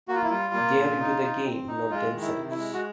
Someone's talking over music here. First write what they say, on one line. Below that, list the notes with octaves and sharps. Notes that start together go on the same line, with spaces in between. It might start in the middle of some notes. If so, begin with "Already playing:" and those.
They're into the game, not themselves.
A#3 F#4
F4
E4
G3 F4
A#3
A#2
D#4
D#4
C4
D#4
G#3 F4
D#3
E4
C3
E4
G#3
F#4